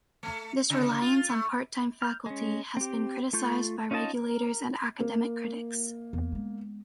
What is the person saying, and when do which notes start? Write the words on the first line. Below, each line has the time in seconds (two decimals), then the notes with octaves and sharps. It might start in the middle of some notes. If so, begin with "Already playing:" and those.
This reliance on part-time faculty has been criticized by regulators and academic critics.
0.23 A3
0.70 C#3
1.01 F4
1.29 A3
2.02 F6 G6
2.26 G#3 C#4
2.77 C4 G4
3.33 A3 F4 C#6 G6
3.91 C#4 D#4 F4 D#5 A5
4.15 A#4
5.00 A#3
6.13 E2
6.32 G#3 B3